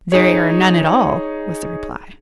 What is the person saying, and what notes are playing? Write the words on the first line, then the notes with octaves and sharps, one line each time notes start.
"There are none at all," was the reply.
D#4 G#4 C#5